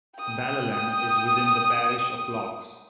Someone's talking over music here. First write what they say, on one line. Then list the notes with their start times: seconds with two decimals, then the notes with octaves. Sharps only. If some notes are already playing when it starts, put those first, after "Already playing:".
Balallan is within the parish of Lochs.
0.19 G5 D#6